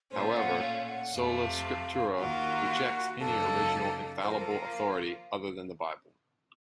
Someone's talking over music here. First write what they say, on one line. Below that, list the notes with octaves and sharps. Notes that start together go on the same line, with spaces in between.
However, sola scriptura rejects any original infallible authority other than the Bible.
A#2 A3 C#4 F4 C5
F#5
F5
F#5
F2 C3 F3 A3 F5
D#2 D#3 A#3 F4 F#4 A#4
F#2 C#3 F#3 A#3 D#4 A4
F3 A#3 F4 C5
A#4
A4
A#4